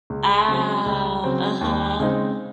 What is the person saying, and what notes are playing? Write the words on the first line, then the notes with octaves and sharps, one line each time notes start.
Ah, uh-huh.
C#2
C#3 F#3 C4
C#2
C#3 F#3 C4
D#2
C#3 G#3 C4 D#4